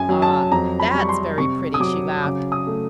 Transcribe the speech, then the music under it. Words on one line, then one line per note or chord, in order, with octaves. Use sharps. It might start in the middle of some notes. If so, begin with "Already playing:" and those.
"Ah, that's very pretty!" she laughed.
Already playing: F#2 G#5
F#3
A5
F2 A#5
B5
G3 C#6
C6
C3 C#6
D#6
F#3 D6
C#3 D6
D#6
A3